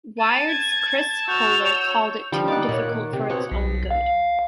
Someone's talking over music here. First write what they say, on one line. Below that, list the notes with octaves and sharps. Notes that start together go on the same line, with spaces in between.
Wired's Chris Kohler called it too difficult for its own good.
A5 D#7
G#6
F#4 E6 G6 F7
C#5
D3 F3 G3
D#4 D5 F#5
A#2 A#3 C#5
D#3
C3 G4
B2 C4 C#5 F#5
B1
F5